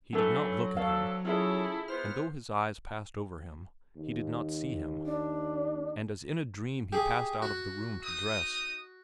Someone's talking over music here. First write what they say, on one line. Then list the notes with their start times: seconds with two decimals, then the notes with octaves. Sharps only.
He did not look at him, and though his eyes passed over him, he did not see him; and as in a dream he passed out of the room to dress.
0.13 E3 F#3 A3 D4 A4
0.77 D2 A4 F5
1.25 C#3 E4 F4 G#4 A4 E5
1.88 B3 C5 F6
3.97 D#2
5.06 D4
6.93 G4 G#4
7.42 F#4
8.03 D#4 D#6